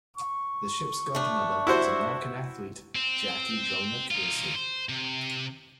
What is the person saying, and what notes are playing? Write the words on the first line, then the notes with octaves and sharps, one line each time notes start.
The ship's godmother is American athlete Jackie Joyner-Kersee.
C#6
A3 D4
E4 F#4 C5
C4
D#4 F4
C5
C3